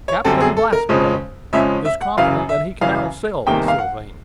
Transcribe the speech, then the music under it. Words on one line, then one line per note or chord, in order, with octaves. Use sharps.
"Captain Blastblow is confident that he can outsail the Sylvania."
C#5
F#2 D3 G3 C4 A4
G#4
A4
A#4
F2 C#3 F3 G#3 C#4
F2 C#3 F3 G#3 C#4 E5
E5
F#5
F#2 C#3 E3 F5
E5
F#2 C#3 E3 F5
E2 C3 D#3 G3 A#3 G5
F5
F#5